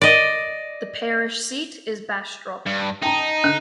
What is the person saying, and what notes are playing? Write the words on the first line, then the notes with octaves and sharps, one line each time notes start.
The parish seat is Bastrop.
D5 D#5
G2
D#4 G5 A5 A#5
D3 F#6